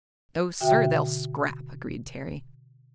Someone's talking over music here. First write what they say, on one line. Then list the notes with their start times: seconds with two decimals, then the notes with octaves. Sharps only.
"No, sir--they'll scrap," agreed Terry.
0.61 B2 D3 F#4 E5 G5